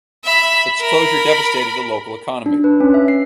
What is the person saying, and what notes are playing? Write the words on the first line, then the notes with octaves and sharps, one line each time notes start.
Its closure devastated the local economy.
E5 B5
A#4 B5
D4
B4
C#4
E5
C7